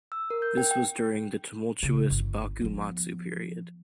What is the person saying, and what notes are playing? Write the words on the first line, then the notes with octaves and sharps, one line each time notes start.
This was during the tumultuous Bakumatsu period.
E6
A#4
G6
G5
G5
C#3
G1
F3 B3